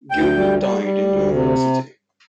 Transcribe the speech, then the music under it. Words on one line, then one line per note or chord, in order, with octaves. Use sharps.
Gilbert died in New York City.
D2 G5
G3
G3
G3
D2
C3